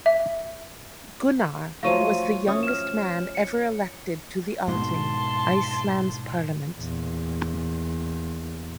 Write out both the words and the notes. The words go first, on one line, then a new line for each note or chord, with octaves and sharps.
Gunnar was the youngest man ever elected to the Althing, Iceland's Parliament.
E5
F3 F#3 A3 F5 C#6 D#7
C#4 E5 D#6
F6 E7
C#7
G#2 B2 A5 C6
E2 A#2